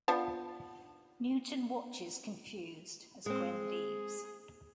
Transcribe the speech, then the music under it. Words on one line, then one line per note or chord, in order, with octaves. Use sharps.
Newton watches, confused, as Gwen leaves.
F3 B3 D4
G#3 C4 G#4